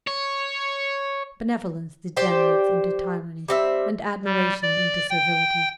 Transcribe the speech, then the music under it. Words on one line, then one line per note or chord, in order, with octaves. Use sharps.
Benevolence degenerates into tyranny, and admiration into servility.
C#5
G4 C5 D5 G5
G3 C4 E5
G3
D5
G5